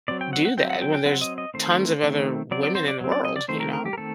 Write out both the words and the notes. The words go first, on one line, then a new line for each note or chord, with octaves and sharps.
do that when there's tons of other women in the world, you know?
F#3 C4 D5
G5
F#5
F#5
F#3 C4 G5
F#5
G5
G5
F#3 C4 F#5
D#5
D#5
D#3 A3 C4 C5
D#3 A3 C4
F#3 C4 D5
D5
C5
D5
F#3 C4
D5
D#5
D5
D#3 A3 C4 C5
A#4
A#4
G4
A#4
D#3 A3 C4 A4